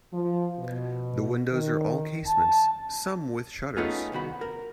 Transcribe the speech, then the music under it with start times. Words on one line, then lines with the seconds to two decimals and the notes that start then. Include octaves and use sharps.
The windows are all casements, some with shutters.
0.13 F3
0.59 B2
1.52 D#3
2.26 A5
3.77 A3 B3 C#4 D#4 F4 G#4
4.12 C2 D#3 F#4 B5
4.41 A#4